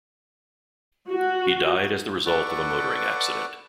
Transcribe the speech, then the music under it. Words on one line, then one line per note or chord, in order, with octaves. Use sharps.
He died as the result of a motoring accident.
F#4
A4 B4 D5 F#5 C#6 D6